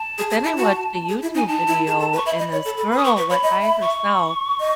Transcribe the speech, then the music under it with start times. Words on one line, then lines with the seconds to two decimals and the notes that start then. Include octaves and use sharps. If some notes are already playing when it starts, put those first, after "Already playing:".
but then I watched a YouTube video, and this girl went by herself,
Already playing: A5
0.18 G#4
0.30 G#4
0.44 E4
0.57 F#4
1.09 G#4
1.22 E4
1.34 D#4
1.37 G#5
1.48 D#4 A5
1.67 E4
1.87 G#4
2.00 A4
2.13 B4
2.17 C#6
2.26 E5 B5
2.39 D#5
2.52 C#5
2.65 A4
2.77 A4
2.91 B4
2.96 D#6
3.04 B4 C#6
3.16 B4 C#6
3.30 C#5 B5
3.43 D#5
3.62 E5
3.81 C#6
4.60 D#5